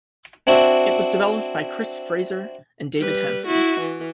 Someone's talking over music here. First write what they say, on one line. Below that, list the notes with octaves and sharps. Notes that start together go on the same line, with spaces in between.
It was developed by Chris Fraser and David Hanson.
C4 D4 E4 F#4
G3 B4
E4 F#4
E3